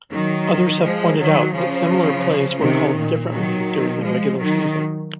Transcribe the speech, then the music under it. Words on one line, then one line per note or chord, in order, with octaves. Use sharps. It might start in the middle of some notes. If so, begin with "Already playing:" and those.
Others have pointed out that similar plays were called differently during the regular season.
D#3 F#3
F3 G#3
D#3 F#3
C#3 F3
C3 D#3
A#2
D#3 F#3
F3 G#3
D#3 F#3